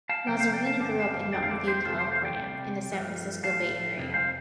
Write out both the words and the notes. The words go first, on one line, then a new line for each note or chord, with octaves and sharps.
Lazzarini grew up in Mountain View, California in the San Francisco Bay Area.
F5 A5
C3 F3 A3 G5
C5 F5
D5 G5
F5 A5
G2 D3 G3 A5
G5
F5 A5
F2 D3 A3 D5 G5
F5
A4 D5
G4 C5
F2 C3 A3 F4 A4
G4 C5
C5 F5
D5 G5
C3 G3
G2 F3 A3
A2 F3 A3 F5 A5
F2 C3
C5 F5